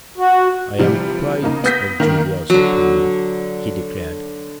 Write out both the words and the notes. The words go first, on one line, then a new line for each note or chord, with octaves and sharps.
"I am quite of Julius's opinion," he declared.
F#4
C3 E3 F3 G3
C#3 A#3 D#4
B3 D#6 G6 A#6 B6
D#3 A#3 A#4
D3 F#3